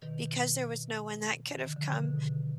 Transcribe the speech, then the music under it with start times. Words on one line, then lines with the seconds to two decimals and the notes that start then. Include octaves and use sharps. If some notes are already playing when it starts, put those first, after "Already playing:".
because there was no one that could have come
0.02 B2 D#3
1.52 D#3
1.63 D3
1.76 D3 F3
1.90 B2 D#3
2.04 D3
2.16 B2